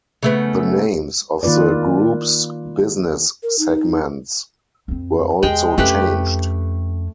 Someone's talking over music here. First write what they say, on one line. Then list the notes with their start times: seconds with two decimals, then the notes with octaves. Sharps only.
The names of the Group's business segments were also changed.
0.23 C#3 A3 B3
1.43 D#3 A#3 F4 B4 D5
3.43 A#4
3.59 D#4
4.88 F2 C4
5.43 E2 G#3 G5
5.78 F2 A3 C#4 G4 B4